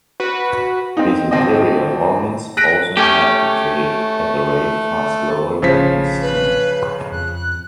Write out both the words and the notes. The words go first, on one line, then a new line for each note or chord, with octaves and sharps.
His interior organs also had decayed at a rate far slower than his skin.
F#4 B4
C4 D#4
D#1 C4 D#5
F#6 A#6 B6 D7
A3 C#4 G4
A1 C#3 F3 B6
B4
F2 F#6